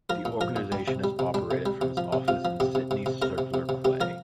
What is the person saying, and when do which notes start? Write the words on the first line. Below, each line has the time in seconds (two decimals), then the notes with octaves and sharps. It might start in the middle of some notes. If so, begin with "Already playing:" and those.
The organisation is operated from its office in Sydney's Circular Quay.
0.10 F3 A#4
0.25 A#2
0.41 F3 A#4
0.56 A#2
0.72 G3 G4
0.88 C3
1.04 G3
1.19 C3
1.34 G3 D4
1.51 C3
1.66 G3
1.81 C3
1.97 F3
2.13 C3
2.28 C3 F4
2.45 F3
2.60 C3 G4
2.75 C3
2.91 C3
3.06 C3
3.22 C3 A#4
3.38 C3
3.54 C3
3.69 C3
3.85 C3 G4
4.01 F3 A#4